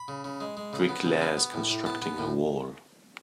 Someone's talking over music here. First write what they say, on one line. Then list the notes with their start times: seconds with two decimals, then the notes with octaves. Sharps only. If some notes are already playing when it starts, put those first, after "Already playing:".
Brick layers constructing a wall.
Already playing: B5
0.08 C#3
0.24 C#3
0.40 G#3
0.57 G#3
0.73 C#3
0.89 B3
1.05 C#3
1.22 B3
1.37 B3
1.54 A2
1.70 A2
1.86 B3 A5
2.02 B3
2.18 A2